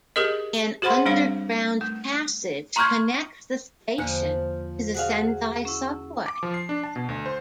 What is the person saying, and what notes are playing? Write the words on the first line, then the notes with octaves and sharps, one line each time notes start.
An underground passage connects the station to the Sendai Subway.
G4 G#4 A#4 D#5
F#4 G#4 C5 F#5 B5 C6
G3 C4 D4 C#5 F5
A3
A#5 C6 C#6 F6 G6 G#6
E2 D3 F3 A#3
F#4 G#4 F5
C#4 E4
D6
F3
C7
D4
A5
B2
D2
C5